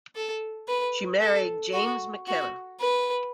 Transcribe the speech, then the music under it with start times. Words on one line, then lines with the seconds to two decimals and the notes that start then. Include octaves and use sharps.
She married James McKenna.
0.15 A4
0.68 B4
1.21 A4
1.74 F#4
2.28 F#4
2.80 B4